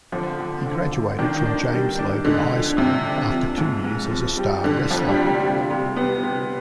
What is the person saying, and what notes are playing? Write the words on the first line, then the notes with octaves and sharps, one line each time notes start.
He graduated from James Logan High School after two years as a star wrestler.
D3 F3
D3
D3
D3
D#3 D4
D4
G3
D4
D3 G#3
F3
C3 D4
D4
F3
G#2
G#2
F3
G3
D3 D4
F2 F3
G3
C3
G3
C3
C3
G3 B3
C3